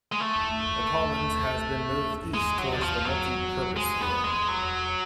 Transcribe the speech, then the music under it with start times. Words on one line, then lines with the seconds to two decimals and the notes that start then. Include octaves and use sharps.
The commons has been moved east towards the multi purpose room.
0.12 G#3
0.20 A3
2.34 G#3
2.58 F#3
2.73 D3
2.81 F3
3.05 F#3
3.77 G#3
4.01 B3
4.24 G#3
4.48 F#3